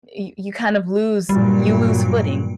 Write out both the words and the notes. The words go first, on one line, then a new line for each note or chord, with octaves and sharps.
y you kind of lose you lose footing.
G2 A#2 F#3 G3